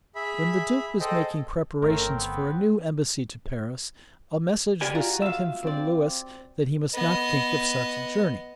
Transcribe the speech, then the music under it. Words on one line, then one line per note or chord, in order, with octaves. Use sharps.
When the duke was making preparations for a new embassy to Paris, a message was sent him from Louis, that he must not think of such a journey.
G#4 E5 B5
G#4 A4 C5 D#5 G5
G1 A3 C4 C#4 A#4
B3
G4 D5 G#5
F4 F#4 A#5
E5 F5
C4 D5
B3 D#5